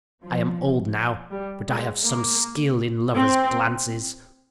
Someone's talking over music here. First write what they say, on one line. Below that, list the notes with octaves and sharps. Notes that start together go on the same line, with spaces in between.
I am old now, but I have some skill in lovers' glances.
F3
G3
G#3
A#3
C4